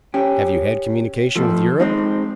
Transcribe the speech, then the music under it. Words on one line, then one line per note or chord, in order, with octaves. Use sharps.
Have you had communications with Europe?
C#4 G4
F3 A3
G#3 C4 D#4